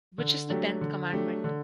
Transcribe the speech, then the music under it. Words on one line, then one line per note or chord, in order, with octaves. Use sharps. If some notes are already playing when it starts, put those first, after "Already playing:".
Which is the tenth commandment?
D3
F#3 A3 D4 G4
D3
F#3 A3 D4 G4
D3